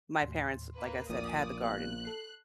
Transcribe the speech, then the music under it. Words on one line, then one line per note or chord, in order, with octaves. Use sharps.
my parents, like I said, had the garden.
D#2 A2 C6
A#3 B4
A#1 A#2 D5 D#6
B3 G4 F5 F#6
A4 C7